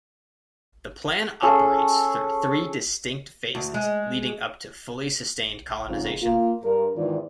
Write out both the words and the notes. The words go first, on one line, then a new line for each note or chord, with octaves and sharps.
The plan operates through three distinct phases leading up to fully sustained colonization.
C#4 G#4 A4
D2
G#3
F2 G#2 C#3
A#3 F4
G2 A#4
E2 G#2 D#3 E3 F4 D5